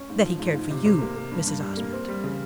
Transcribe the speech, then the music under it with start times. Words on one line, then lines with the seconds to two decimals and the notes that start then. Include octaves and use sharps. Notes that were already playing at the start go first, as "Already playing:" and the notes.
"That he cared for you, Mrs. Osmond."
Already playing: C#4
0.09 G#2
0.24 F3
0.39 G#2
0.55 G#2
0.70 C3
0.85 C3
1.01 A#3
1.16 A#3
1.32 G2
1.47 G2
1.62 G3
1.77 A#3
1.93 C4
2.08 G3
2.24 C#3